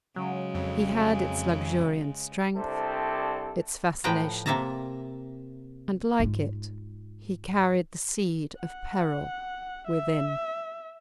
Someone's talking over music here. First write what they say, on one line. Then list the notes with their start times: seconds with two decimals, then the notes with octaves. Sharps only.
He had its luxuriant strength, its fascination; and, like it, he carried the seed of peril within.
0.16 C#3 F#3 G#3
0.55 F2
2.56 C2 C3 C4 D4 A4
4.04 A2 F3 B4 G5 A#5
4.46 C3 A#3 E5 A5 A#5
6.20 G#2 F4
8.59 F#5
9.87 E5